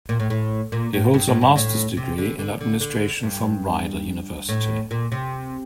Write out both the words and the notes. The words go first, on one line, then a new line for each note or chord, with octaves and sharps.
He holds a master's degree in administration from Rider University.
A#2
A2
A2
A#2
A2
G2
A2
G2
A2
C3
D3
D3
D3
D3
G2
A2
A#2
C3